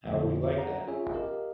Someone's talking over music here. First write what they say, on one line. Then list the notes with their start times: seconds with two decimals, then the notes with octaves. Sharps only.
How would you like that?
0.05 A#1 F2 D3
0.58 F#5 A#5
0.87 C#4 F4 G#4 C#5 E5 G#5
1.13 G4 A#4 D#5 F5